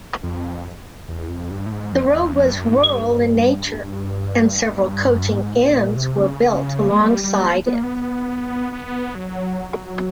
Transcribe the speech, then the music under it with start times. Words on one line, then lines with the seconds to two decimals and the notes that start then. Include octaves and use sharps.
The road was rural in nature and several coaching inns were built alongside it.
0.23 F2
1.09 E2
1.29 F2
1.51 G2
1.66 A2
1.72 G#2
1.93 F2
2.09 F2
2.14 E2
2.35 F2
2.51 G2
2.57 F#2
2.67 G#2
2.78 G2
5.14 F#2
5.24 G2
5.33 G#2
5.55 A2
5.76 A#2
5.96 C3
6.17 C#3
6.91 G#3
7.02 G3
7.24 G3
7.66 B3
7.74 A#3
7.83 B3
8.73 B3
9.15 F#3